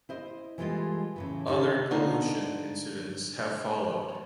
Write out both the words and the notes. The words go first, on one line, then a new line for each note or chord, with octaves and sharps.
Other pollution incidents have followed.
E4 C5 D#5
E3 G3 G#3 F4 A4 D#5
A2 C#3 E3
D3 D#3 C#4 D#4 G4
D3 D#4 F4